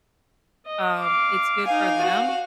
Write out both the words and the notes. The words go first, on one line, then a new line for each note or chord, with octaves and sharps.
um, it's good for them.
D#5
F5 D6
D#4 F5 G#5
F#4